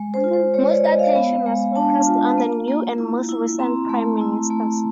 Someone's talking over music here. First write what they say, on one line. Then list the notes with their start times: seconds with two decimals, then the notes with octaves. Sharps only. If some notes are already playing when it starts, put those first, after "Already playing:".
Most attention was focused on the new and most recent Prime Ministers.
Already playing: G#3
0.14 C5
0.24 F4
0.33 C5
0.54 G#3 C#5
0.70 D5
0.84 G#3 D#5
0.99 F5
1.16 B3
1.46 G#3
1.76 D4 A5
2.07 F4
2.38 A#3
2.68 A#3
2.98 E4
3.29 E4
3.59 C4 A#5
3.89 A3
4.21 E4
4.50 A3